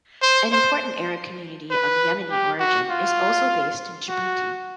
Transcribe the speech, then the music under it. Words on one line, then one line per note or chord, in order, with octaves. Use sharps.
An important Arab community of Yemeni origin, is also based in Djibouti.
C5
C5
B4
G4
F#4
F4
F#4